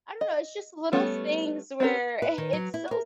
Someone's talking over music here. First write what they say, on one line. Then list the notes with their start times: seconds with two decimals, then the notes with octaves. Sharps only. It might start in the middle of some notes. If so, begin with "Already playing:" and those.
I don't know, it's just little things where it it's so
0.21 D#5
0.93 G3 A3 B3 C#4
1.80 C4 C#4 E4 G4 A#4
2.22 B4
2.38 D#3
2.53 F#3
2.74 E4
2.91 A#4